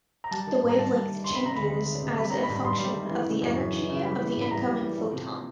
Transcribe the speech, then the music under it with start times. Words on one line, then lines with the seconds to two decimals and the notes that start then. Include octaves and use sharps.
The wavelength changes as a function of the energy of the incoming photon.
0.24 A#5
0.31 G3 A5
0.47 D#3
0.63 G2
0.69 A#5
0.78 G2 A5
0.94 G3
1.09 D#3
1.24 D#3 C6
1.35 B5
1.41 C3 A#5
1.56 D2 B5
1.72 G#3
1.86 D#3
2.02 C3
2.18 G3 B5
2.30 D#3 A#5
2.43 B5
2.49 G2
2.56 B5
2.65 G2 C6
2.80 G3
2.96 D#3
3.11 E3
3.27 C#3
3.42 F#2
3.59 F#2
3.73 E3
3.90 C#3
4.05 G3 B5
4.20 E3
4.36 G2
4.41 B5
4.51 G2 A#5
4.66 G3
4.82 E3
4.98 F3
5.13 C3